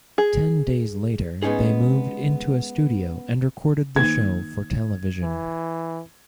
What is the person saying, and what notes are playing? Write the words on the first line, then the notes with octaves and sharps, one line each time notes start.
Ten days later, they moved into a studio and recorded the show for television.
G#4
G#3 B3 C#4 D#4 G#4
D#3 A#3 D#4 G#6
E3